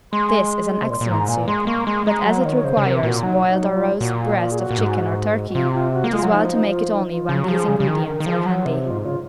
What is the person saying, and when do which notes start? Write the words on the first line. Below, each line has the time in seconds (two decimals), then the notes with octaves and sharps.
This is an excellent soup, but as it requires boiled or roast breast of chicken or turkey it is well to make it only when these ingredients are handy.
0.13 G#3 C6
0.82 C3
0.90 A#2 C6
1.01 A#2
1.10 G#2 A#5
1.28 A#2 G#5
1.48 G#3 C6
1.67 A#3 C#6
1.87 G#3 C6
2.07 G#3 A#5
2.26 F#3 A#5
2.41 F3
2.45 D#3 C#5
2.55 C#5
2.64 C#3 C5
2.77 C#3
2.84 C3 A#4
3.03 A#2 F#4
3.23 F#3 D#4
3.49 D#4
3.74 F4
4.00 A#2 F#4
4.19 F4
4.39 F4
4.52 G#4
4.59 F#4
4.71 A#2
4.78 G#2
5.49 F#4
5.55 C3 F4
5.74 F4
5.93 F#4
6.04 A#3
6.12 G#3 F4
6.23 F#3
6.32 F3 D#4
6.52 D#4
6.71 F4
6.90 D#4
7.11 F4
7.29 C#3
7.43 F#3 F#4
7.48 F3 G#4
7.68 C#3
7.80 C#3
7.87 D#3 G#4
8.07 A#4
8.20 D#3
8.26 F3 G#4
8.46 F#3 F#4
8.65 C3 D#4
8.84 F4
8.91 G#2
9.04 C#3 F4